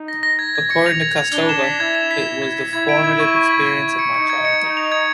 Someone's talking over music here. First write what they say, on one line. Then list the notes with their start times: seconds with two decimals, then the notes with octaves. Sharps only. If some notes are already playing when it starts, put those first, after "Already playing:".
According to Kostova, It was the formative experience of my childhood.
Already playing: D#4
0.08 A#6
0.23 A#6
0.39 G#6
0.55 G#6
0.70 C#7
0.86 F7
1.02 G#6
1.18 F7
1.33 D4 G7
1.49 E7
1.64 B6
1.80 E4 G#6
1.95 E7
2.11 B6
2.27 B6
2.42 G#6
2.58 B6
2.73 E4 G#6
2.89 D7
3.04 G#6
3.20 C#6
3.36 C#6
3.51 G#6
3.67 G#6
3.82 G#6
3.99 C#7
4.13 D#4 C#7
4.30 G#6
4.45 C#7
4.60 D#4 G#6
4.77 F7
4.92 G#6